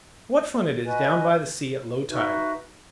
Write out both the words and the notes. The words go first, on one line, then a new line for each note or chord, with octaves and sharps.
What fun it is down by the sea at low tide!
F#4 B4 D#5 G#5
D#4 F#4 B4 E5